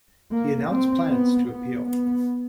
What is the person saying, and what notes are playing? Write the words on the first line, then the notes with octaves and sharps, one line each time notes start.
He announced plans to appeal.
A#3
C4
B3
B3
B3